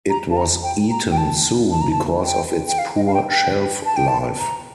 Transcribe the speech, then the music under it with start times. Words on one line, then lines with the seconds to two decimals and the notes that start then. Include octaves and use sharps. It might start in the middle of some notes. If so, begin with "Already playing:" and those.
It was eaten soon because of its poor shelf life.
0.10 A#5
0.31 A5
0.37 A#5
0.63 G5
0.91 A#5
1.12 G5
1.18 A5
1.71 A5
1.81 A#5
1.92 A5
2.24 G5
2.68 G5
2.79 F5
2.96 D#5
3.06 F5
3.14 G5
3.32 G5
3.86 A5
3.96 G5
4.08 A5
4.39 A#5